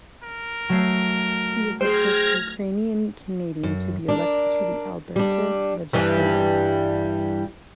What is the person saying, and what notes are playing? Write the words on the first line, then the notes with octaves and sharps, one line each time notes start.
He was the first Ukrainian Canadian to be elected to the Alberta Legislature.
A#4
F#3 A3 C7
G#4 C5 G5 F6 G#6 A#6
F#2
D4 A#4
G3 D4
G2 E3 G3